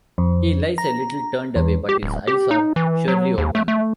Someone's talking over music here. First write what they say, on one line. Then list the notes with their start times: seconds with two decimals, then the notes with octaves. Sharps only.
He lies a little turned away, but his eyes are surely open.
0.18 F2
0.78 A#5
1.56 E2
1.89 G4
2.03 D1
2.27 G4
2.51 D#4
2.76 E3
3.08 F#3
3.38 D#2
3.55 A3
3.68 A3